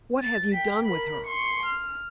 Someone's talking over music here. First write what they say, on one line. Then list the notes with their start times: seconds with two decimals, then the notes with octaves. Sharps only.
What have you done with her?
0.22 A6
0.54 G5 B6
0.86 A#4 B5
1.27 C6 C#6
1.65 F6